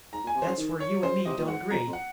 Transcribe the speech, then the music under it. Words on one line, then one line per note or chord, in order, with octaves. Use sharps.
That's where you and me don't agree!
G#2 A#5
A#2
G#5
C3
C#3 C5
D#3
C#5
C#3 C5
C3 D#5
A#2
G#2 F#5
F2 A#5
F2
F#5